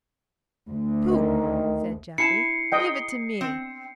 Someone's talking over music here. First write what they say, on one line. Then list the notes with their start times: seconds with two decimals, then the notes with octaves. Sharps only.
"Pooh!" said Geoffrey, "leave it to me."
0.70 D2
1.09 D#3
2.18 E4 A5 C7 C#7
2.72 D#5 G5
3.41 C4